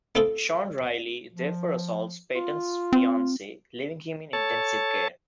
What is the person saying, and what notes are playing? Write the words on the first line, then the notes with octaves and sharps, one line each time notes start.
Sean Riley therefore assaults Peyton's fiance, leaving him in intensive care.
A3 C4 E4 F4 G#4 A4
F3
F4
C4
A4 C#5 A5